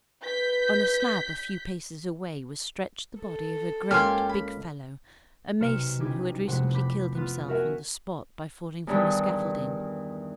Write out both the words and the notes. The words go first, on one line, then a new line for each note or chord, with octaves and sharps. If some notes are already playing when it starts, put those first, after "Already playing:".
On a slab a few paces away, was stretched the body of a great, big fellow, a mason who had recently killed himself on the spot by falling from a scaffolding.
B4 G6 B6
A4
C#2 A#3 G4 G#5 C6 F6
B5
B1 C3 F6 C#7 E7
C#4 D#4 E4 G4 G#4
F1 C3 C5 F#5
B5 D6 G6 B6
B3 F4
F#4 A#4 E5 F#5 G#5
E2 G2 D#3